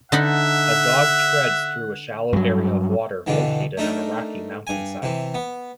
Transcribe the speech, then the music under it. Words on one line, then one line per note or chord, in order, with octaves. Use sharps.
A dog treads through a shallow area of water located on a rocky mountainside.
D3 D#4 E5 F#5 B5
G2 F#3
G2 B2 D3 E3
A3 D4 D#4 A#4
G2 G#5
C3 E3
B3